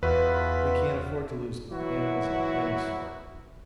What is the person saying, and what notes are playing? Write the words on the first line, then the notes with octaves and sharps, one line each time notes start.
We can't afford to lose animals of any sort.
E2 F4 F#4 B4 E5
E3 F#3 E4 F#4